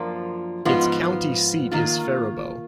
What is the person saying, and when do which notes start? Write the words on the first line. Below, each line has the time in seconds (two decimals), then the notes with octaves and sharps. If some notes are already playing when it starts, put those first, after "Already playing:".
Its county seat is Faribault.
Already playing: F#2 F3 A#3 D4 F4
0.65 G#2 F3 B3 F4
1.71 D#3 A#3 F4